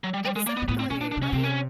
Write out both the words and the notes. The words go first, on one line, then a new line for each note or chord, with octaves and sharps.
Exactly, right?
F#3
G3
G3
G#3
A#3
B3
G#2
A2 B3
C4
B2 C#4
A#2 D4
D4
C3
C#4
C3 C4
C#4